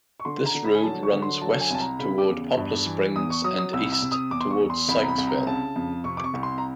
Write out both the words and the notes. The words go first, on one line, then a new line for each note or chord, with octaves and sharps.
This road runs west toward Poplar Springs and east toward Sykesville.
C#6
D3 C6
A#5
D3
B5
G#5
F#3 A5
C#6
D3
C6
F#3 A5
G#5
C2 A5
A#5
C#3 B5
D6
E2
G2
E3
E2 D#6
C#6
F#3 D#6
D#6
C2 E6
E6
C3
D#6
E2 D6
C6
C#6
E2
C6
C2 B5
A#5
B5
C2
A#5
C#3 A5
F2
C3 C#6
D6
C#6
C2
C6
A#5